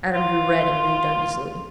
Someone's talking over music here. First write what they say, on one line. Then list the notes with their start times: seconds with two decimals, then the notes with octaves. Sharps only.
Adam grew red and moved uneasily.
0.14 F4